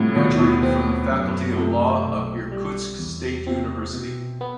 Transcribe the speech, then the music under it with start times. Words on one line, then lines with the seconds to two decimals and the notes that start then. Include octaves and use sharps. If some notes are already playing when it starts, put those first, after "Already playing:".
Graduated from the Faculty of Law of Irkutsk State University.
Already playing: A2 C3 G3
0.15 D#2 B2
0.39 B2
0.63 C4
1.10 F#2
1.57 C3 A3
2.04 B1
2.52 G3
2.99 E2
3.46 C3 C4
3.93 B2
4.41 B3